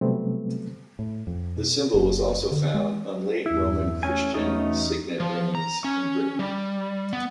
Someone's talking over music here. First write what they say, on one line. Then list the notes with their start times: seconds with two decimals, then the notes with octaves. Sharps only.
The symbol was also found on Late Roman Christian signet rings in Britain.
0.01 C3 F#3 G3 A3 B3 C4
0.99 A2
1.27 F2
1.57 B2
1.94 F#1
2.52 D3
2.74 G#3
3.46 E2 G2 E4
4.03 A3 C#4 G#5
4.34 E2 B2 A3 C#4 D#4
5.20 F3
5.55 A#5
5.84 C#4
6.39 G3
7.13 B3